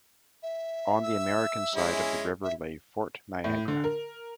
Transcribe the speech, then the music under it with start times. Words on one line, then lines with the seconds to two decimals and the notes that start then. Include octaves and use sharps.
On the American side of the river lay Fort Niagara.
0.43 E5
1.04 E6
1.75 G#3 C#4 E4
2.43 E5
3.44 A2
3.68 D3
3.84 A#4